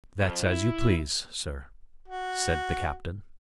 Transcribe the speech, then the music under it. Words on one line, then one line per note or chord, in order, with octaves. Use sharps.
"That's as you please, sir," said the captain.
F2
E4
F#4